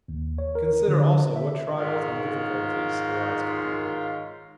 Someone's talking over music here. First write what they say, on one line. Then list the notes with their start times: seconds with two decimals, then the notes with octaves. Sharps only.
Consider also what trials and difficulties arise for people.
0.08 D#2
0.38 C#5
0.55 A#4
0.88 D3
1.36 E5
1.76 G#2 D#3 F4 A#4 C#5